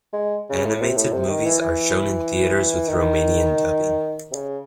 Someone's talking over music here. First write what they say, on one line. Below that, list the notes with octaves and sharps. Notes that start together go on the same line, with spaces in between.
Animated movies are shown in theaters with Romanian dubbing.
G#3
C#3
A2
C3
A2
C3
D#3
E3
E3
D#3
C3
C#3